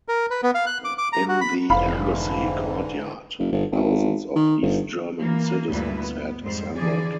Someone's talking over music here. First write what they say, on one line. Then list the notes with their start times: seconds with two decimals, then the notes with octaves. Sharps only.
In the embassy courtyard thousands of East German citizens had assembled.
0.08 A#4
0.30 B4
0.43 B3
0.55 F5
0.66 F#6
0.84 D6
0.98 D6
1.13 A#5
1.28 F#4
1.41 B5
1.70 F1 G#2 D3 E3 F5 B5
3.39 F#1
3.52 G1
3.72 G#1
4.36 D#3
4.62 G1
5.20 E3 A#3
5.69 D2 G2 A#2 G3 E4 B4
5.99 B3
6.43 F2 G#2 G3 C5
6.75 D3 E3 F3 G#4 D5